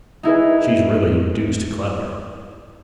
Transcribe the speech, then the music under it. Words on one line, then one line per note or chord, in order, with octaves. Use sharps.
She's really deuced clever.'
D#4 E4 G#4 B4